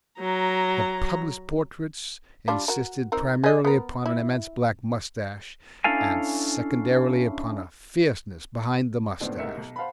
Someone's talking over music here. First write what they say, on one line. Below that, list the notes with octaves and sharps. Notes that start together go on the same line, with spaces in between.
The published portraits insisted primarily upon an immense black moustache, and secondarily upon a fierceness behind the moustache.
F#3 A#5
G3 D4 F4
F#4 A#4
C4 D#4 A#4
G#4 D#5
B3 A#4
E4
C#4 D4 E4 A4 F5 G#5
D#1 C#2 A2 B3 D4 C5
C2 G#2 A#4 E5 C#7
B1
C5 F5 F#5 A5 B5